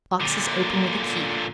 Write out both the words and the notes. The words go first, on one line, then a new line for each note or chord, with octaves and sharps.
Boxes open with a key.
A#2 D3